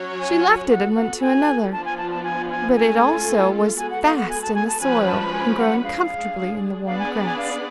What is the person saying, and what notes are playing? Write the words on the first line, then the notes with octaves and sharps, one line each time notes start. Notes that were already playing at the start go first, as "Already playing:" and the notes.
She left it, and went to another; but it also was fast in the soil, and growing comfortably in the warm grass.
Already playing: F#3 C#4 F#4 C#5
G#5
B3 F#4 A4 F#5
F#5
G#5
F3 B3 D4 F4 A5
G#5
A5
A5
G#5
G#5
A3 C#4 F4 A4 G#5
G#3 B3 F#4 A4 G#5
F#5
F5
F#5
G#5
A5
G#5
A5
F3 G#3 C#4 F#4 B4 G#5
A5
G#5
F#5
G#3 D4 G#4 F5
B3 D4 G#4 B4 D5 F5
G#5
G#5
F5